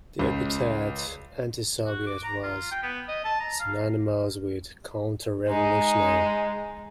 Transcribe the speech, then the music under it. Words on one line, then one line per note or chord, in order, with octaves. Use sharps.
The epithet "antisoviet" was synonymous with "counter-revolutionary".
C#2
F#4
D6
A#5
F4
G5
B3
D#5
A5
A#5
F5
G#3 D#4